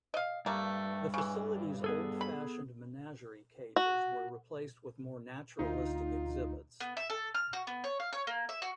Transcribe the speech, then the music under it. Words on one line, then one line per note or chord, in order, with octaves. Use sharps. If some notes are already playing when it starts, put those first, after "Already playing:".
The facility's old-fashioned menagerie cages were replaced with more naturalistic exhibits.
D#5 F5
G2 A3 A#3
C#3 E3
B3 G#4 A4
B5
F#4
D2 D#4 F4
B3
E5
A4
F6
F#4
B3
C#5
F5
C#5
A#3
E5
F#4